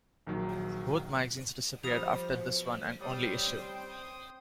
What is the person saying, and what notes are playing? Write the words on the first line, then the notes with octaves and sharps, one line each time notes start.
Both magazines disappeared after this one and only issue.
A#1 D#3 F#3
F3 G3 C5 D#6 F7
B2
G3 C5 C#5 G5 D#6
C4
D#6